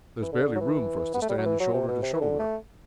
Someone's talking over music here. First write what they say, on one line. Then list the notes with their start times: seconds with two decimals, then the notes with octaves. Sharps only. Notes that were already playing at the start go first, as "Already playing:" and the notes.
There was barely room for us to stand, shoulder to shoulder.
0.22 E3
0.32 D3
0.55 F#3
0.61 E3
1.14 B3
1.22 A3
1.29 G3
1.38 F#3
1.46 E3
1.60 F#3
1.74 C3
1.88 B2
2.03 C3
2.14 E3
2.21 D3
2.39 A3